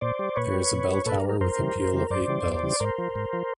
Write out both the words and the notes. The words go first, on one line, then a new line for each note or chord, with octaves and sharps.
There is a bell tower with a peal of eight bells.
A#2 C5 D5
G3
A#2 B4 C#5
G3
A#2
G3
A#2 A4 B4
A#4
G3
A#4
F#2 A#4 C5
C#3 E3 G3
F#2
C#3 E3 G3
F#2 C5 D5
C#3 E3 G3
F#2
C#3 E3 G3
G#2 A#4 C5
F3
G#2
F3